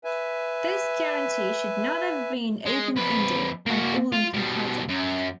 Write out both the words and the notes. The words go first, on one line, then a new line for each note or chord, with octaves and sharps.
This guarantee should not have been open-ended and all-encompassing.
B4 E5 G#5
G#3
F2 B4
A#3 F#4
F4
B2 G3
F#2